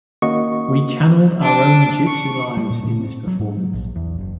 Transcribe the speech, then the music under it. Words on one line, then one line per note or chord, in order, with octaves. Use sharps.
We channeled our own Gypsy lives in this performance.
D#3 A#3 C#4 F#4 D#5 C#6
D4
C#6
G3
A#2
A#2
C4
F#3
G#2
F#3
A#1
E2
F#1